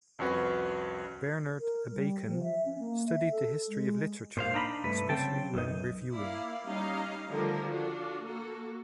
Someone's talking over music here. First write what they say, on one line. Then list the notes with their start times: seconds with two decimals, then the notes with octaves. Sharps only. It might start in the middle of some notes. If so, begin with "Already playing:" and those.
Bernhard Abeken studied the history of literature, specially when reviewing.
0.19 C2 F2 C#4 F#4 B4
1.60 A#4
1.90 G3
2.27 F3
2.43 E5
2.66 C#4
2.79 A#3
3.07 E5
3.31 A4
3.68 G#3
4.37 A#2 C5 F5
4.54 D4 D#4 A#5 B5
4.84 G2 C3 A3 B4
5.09 C#3 E3 F#3 C4 G5 A5
5.54 B1 F#2 D#4
6.14 A#3 E4 D5 F5
6.66 G3 C#4 D#4 D#5 F5 A#5
7.30 D3 D#3 F3 G3 A3 A#4
7.70 D4 F4 F#4
8.23 A#3 F#4 A4